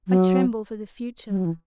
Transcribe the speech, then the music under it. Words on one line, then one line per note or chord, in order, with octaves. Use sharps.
I tremble for the future.
F#3
G3
F#3
E3